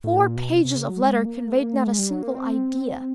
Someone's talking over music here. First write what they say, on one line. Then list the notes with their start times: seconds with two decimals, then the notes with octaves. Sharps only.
Four pages of letter conveyed not a single idea.
0.04 A2
0.20 A#2
0.36 B2
0.53 C3
0.65 C3
0.77 C#3
0.89 F#3
1.01 G#3
1.26 A#3
1.50 A3
1.63 A#3
1.75 A3
1.87 G#3
1.99 G3
2.11 F#3
2.23 A#3
2.35 C4